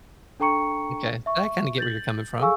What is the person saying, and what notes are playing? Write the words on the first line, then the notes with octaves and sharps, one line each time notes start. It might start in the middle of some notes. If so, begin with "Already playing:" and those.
M'kay, I kinda get where you're coming from.
D4 A4 G5 A#5 C#6 C#7
E5 C#6
G6 A6 F#7
G#4 A4 F5 G#5 C#6 E6